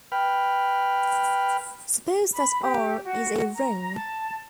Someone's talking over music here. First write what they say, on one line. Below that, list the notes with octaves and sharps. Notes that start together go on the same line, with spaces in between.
Suppose that "R" is a ring.
B4 G5 B5 F6
B5
G4
F#4
A#5
A5